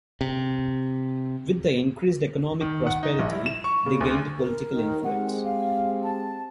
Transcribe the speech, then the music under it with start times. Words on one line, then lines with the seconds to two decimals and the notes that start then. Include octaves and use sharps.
With their increased economic prosperity they gained political influence.
0.21 C3
2.61 D#3
2.87 F#5
3.03 D#4
3.19 A#1
3.31 E4
3.46 E7
3.64 C#6
3.86 C#3
4.01 D2
4.39 A#4
4.73 D#2 D#3
5.04 G#3 C4 G4 F#5
5.45 F5
6.03 A5